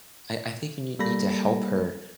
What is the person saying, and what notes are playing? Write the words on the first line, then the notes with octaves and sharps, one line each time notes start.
I I think you nee need to help her,
G3 A#3 A4 B5 A#6